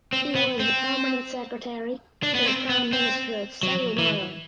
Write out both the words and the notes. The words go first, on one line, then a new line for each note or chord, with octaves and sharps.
He was the Permanent Secretary to the Prime Minister of Ceylon.
C4
B3
C4
D4
B3
C4
B3
C4
F#3
E3